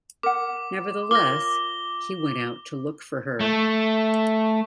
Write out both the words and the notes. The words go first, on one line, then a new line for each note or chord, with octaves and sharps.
Nevertheless, he went out to look for her.
A#4 F#5 D6
F4 A#4 C#5 D6 A#6 G7
A3